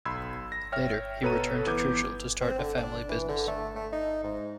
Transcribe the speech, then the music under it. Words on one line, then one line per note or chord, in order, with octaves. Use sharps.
Later, he returned to Churchill to start a family business.
B1 B5 C6 E6 G#6
A#6
C#5 E5 G5 F6
B2 A4 B4 C#5 A#5 D#7
E3 B3 D6 G6 G#6
C4
D3
D4
E3
D3
A3
A3
D#4
G#2